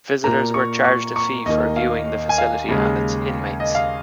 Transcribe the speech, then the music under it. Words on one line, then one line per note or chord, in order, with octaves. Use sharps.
Visitors were charged a fee for viewing the facility and its inmates.
A#2 A#3 A#5
C#6
C#6
C#6
D#2 D#3 A#3 D#5
F5
G#5
F5
D#2 C#3 G#3
D#5
F5